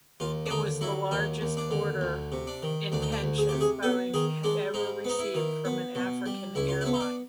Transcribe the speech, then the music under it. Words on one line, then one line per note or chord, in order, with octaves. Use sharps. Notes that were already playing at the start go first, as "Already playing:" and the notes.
It was the largest order intention Boeing had ever received from an African airline.
D#2 F4
D4
D3 D#4
F#3 E4
D#2 D#4
D#2
D4
D3
D2
C3
D4
D#3
D2 D4
D#4
D4
D2
G#4
C3 G4
G#4
B3 A4
D#3 G#4
G#3 D4
G#2 D#4
B3 D#4
E4
D#3
B3
B2
G3
C#2 E4
F4
E4
B3
D#4
D4